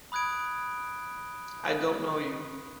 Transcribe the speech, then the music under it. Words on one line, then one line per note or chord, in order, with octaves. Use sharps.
I don't know you!
B5 D#6 F#6 G#6 D7